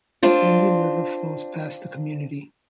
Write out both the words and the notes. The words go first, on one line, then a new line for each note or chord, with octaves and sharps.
The Indian River flows past the community.
C4 D4 F4